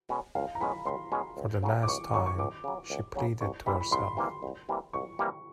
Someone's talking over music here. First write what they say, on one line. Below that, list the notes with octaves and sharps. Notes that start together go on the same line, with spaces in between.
"For the last time," she pleaded to herself.
B2 G#3 C#4
C#2 F5
A#5
B2 G#3 C#4 B5
C#2 C6
B2 G#3 C#4
C#2
C#3 F#3
D6
C#2 C#6
C#3 F#3 C#6
C#6
C#2 D6
C#3 F#3
C#2
C#3 F#3
C2 C#6
C3 E3 G3 A#3 B5
B5
C2 C6
C3 E3 G3 A#3
C2
C3 E3 G3 A#3
C2 C#6
C3 E3 G3 A#3